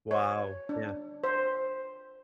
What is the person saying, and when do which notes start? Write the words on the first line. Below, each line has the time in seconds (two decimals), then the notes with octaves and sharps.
Wow, yeah.
0.11 C#5
0.69 D4
1.24 C5